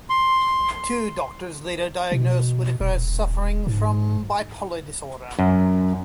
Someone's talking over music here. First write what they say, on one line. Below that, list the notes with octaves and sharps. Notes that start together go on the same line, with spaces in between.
Two doctors later diagnosed Whitacre as suffering from bipolar disorder.
C6
B2
D#1
G#2
F#2